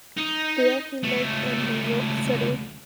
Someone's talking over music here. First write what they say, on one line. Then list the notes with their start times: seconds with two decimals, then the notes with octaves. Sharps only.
There he lived in New York City.
0.17 D#4
1.04 C#2 A3